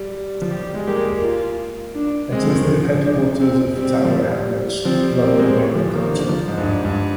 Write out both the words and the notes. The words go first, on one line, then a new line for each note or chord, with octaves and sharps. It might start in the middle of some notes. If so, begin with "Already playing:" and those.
It is the headquarters of Tower Hamlets London Borough Council.
Already playing: G3
F3
G3 G4
G3
G#3
A#3 G4
G#3
A#3
F4
D4
G#3 C4
F3
D#3
F3
G#3 D4
C4
G3 C4
G3
F3
G3
F3 C4
G3
A#3 C4
G#3
G3
F3
D#3 A#3
D3
F3
G#2
G2
G#2 D4
G2